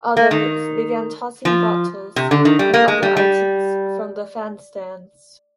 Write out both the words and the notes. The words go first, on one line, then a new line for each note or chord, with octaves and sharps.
Others began tossing bottles and other items from the fan stands.
A#3
D#3
F3
C3
D3
D#3
G3
A#3
G#3
G3
G3